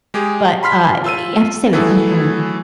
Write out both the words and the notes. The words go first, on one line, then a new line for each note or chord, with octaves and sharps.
But, uh, you have to say when it comes to when
G#3 G4 G#4
B5 C6 F6 B6
F4 E6 D#7
E3 F#3 A3 E4 G#4 A4